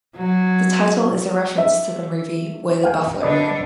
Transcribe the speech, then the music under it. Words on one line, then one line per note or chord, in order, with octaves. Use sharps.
The title is a reference to the movie "Where the Buffalo Roam".
F#3
E5
F5 G5 G#5
D3 D4 B4 D5 D#5